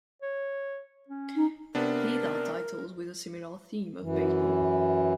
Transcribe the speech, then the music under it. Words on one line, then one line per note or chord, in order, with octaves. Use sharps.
These are titles with a similar theme of baseball.
C#5
C#4
D#4
C3 B3 D4 A#4
F#2 E3